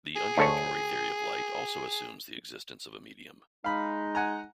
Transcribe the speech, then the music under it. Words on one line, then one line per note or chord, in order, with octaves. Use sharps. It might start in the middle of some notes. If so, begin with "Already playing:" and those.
The undulatory theory of light also assumes the existence of a medium.
G#4
D2 A4 C#5
G#3 D#4 F5 B5
F#5 G#5 A#5